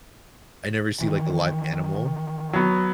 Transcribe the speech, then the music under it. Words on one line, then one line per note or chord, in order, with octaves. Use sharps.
I never see, like, a live animal.
D#3 E3
F#3 B3